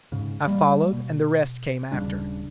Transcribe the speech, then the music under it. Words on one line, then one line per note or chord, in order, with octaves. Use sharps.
I followed, and the rest came after.
G#2 C#3
G3 A#3
B2
D#1 C#3 G3 D4